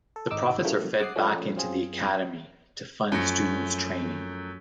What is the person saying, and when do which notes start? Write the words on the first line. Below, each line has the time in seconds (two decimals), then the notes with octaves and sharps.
The profits are fed back into the Academy to fund students' training.
0.16 A4
0.31 G#1 D#4 D6 E6
0.65 C#3 E3 F#3 G3 A3 A#3
1.00 F#5 D6 D#6 F#6 C7
1.16 F3 A3 C#4
1.56 F#2 F#3 C4 F4 G#4
3.12 F#2 F3 A3 A#6 C#7